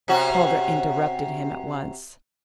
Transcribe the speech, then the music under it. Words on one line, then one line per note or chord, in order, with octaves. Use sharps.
Calder interrupted him at once.
C3 C#4 F#4